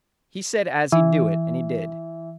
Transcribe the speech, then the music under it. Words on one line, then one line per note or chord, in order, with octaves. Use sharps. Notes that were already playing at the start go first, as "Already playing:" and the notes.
He said as he'd do it, and he did.
E3